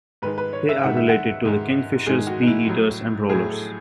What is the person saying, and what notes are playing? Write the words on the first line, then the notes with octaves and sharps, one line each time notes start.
They are related to the kingfishers, bee-eaters and rollers.
G#2 D#3 G#3 B4
B4
C#5
E5
G#2 D#3 G#3 F#5
E5
F#5
G#2 D#3 G#3
G#2 D#3 G#3 G#4
F#4
D#4
E4
A2 F#3
A2 F#3 G#4
A4